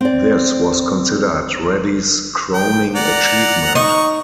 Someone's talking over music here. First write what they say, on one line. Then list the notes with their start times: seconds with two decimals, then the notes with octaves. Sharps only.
This was considered Reddy's crowning achievement.
0.01 C4 D5
2.54 G5
2.96 D5 F#5 A#5
3.75 D#4 C#6 D#6